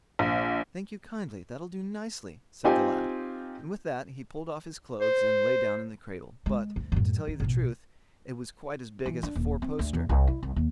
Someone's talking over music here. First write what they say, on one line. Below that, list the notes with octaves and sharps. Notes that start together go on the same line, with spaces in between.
'Thank you kindly, that'll do nicely', said the lad; and with that he pulled off his clothes and lay down in the cradle; but, to tell you the truth; it was quite as big as a four-poster.
A#1
C4 D#4 F4 G4 G#5
C5
G#3
D2
F#2 A2
D#3
A1 B2
E3
D4
D#1
C4
D2
E2
C2
E4
C2
D#2